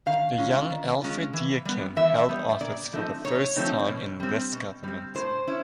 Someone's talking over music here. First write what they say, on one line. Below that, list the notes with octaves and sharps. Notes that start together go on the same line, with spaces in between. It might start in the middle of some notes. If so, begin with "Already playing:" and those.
The young Alfred Deakin held office for the first time in this government.
D#3 F5
G#3 C#4 F4
D#3
G#3 C#4 F4
E3
G3 B3
E3 E5
G3 B3
A#2 D5
F3 A3 C4 D#4
A#2 C#5
F3 A3 C4 D#4
B2
G3 C4
B2
G3 C4
A2 C5
C#4 E4